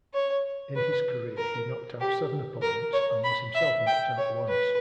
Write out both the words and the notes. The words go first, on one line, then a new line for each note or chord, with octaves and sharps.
In his career he knocked out seven opponents and was himself knocked out once.
C#5
B4
A#4
G4
A#4
C#5
B5
E5
G5
C#5
B4